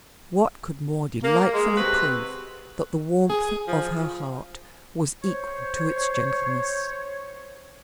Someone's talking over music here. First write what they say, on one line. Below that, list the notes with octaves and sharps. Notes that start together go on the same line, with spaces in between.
What could more delightfully prove that the warmth of her heart was equal to its gentleness?
A#3
G#3
C3 C4 F#4 B4
G#4
F3
C5 C#5